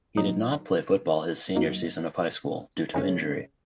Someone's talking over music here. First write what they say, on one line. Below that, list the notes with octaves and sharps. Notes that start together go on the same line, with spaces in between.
He did not play football his senior season of high school due to injury.
A#2 F#3 D#4
F#2 F#3 A#3 D#4
F#2 C#3 G#3 C#4